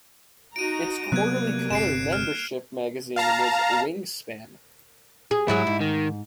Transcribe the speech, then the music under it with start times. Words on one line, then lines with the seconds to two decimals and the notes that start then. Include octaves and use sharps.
Its quarterly colour membership magazine was "Wingspan".
0.56 D#4 F#4 A#5 D7 D#7
1.12 C3 F#3 G3 A#3 B3 F#6 G#6
1.71 G1 C3 C7 D7 E7
2.13 F6
3.16 F5 A5 A#5
5.31 G#4
5.48 G#2 F#3 E4 G#4
5.67 G#2
5.81 D#3